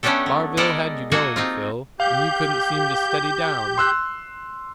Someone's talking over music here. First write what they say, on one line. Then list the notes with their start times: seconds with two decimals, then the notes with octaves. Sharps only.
Barville had you going, Phil, and you couldn't seem to steady down.
0.03 A3 B3 C#4 D4 G4 A4
0.26 F#3
0.57 G#3 B3 A4 A#4 D5 D#5
1.12 A#3 F#4 G#4 A4 D#5
1.36 C4 D#4 F4
2.00 G4 F5 G6
3.78 C6 E6 F#6